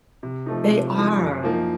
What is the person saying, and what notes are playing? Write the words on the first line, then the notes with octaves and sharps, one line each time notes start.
They are.
C3
F3 A3 D#4
C3
F3 A3 D#4
F#2
F3 A#3 D#4